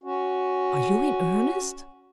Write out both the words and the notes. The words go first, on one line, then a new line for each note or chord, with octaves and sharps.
"Are you in earnest?"
C#4 F#4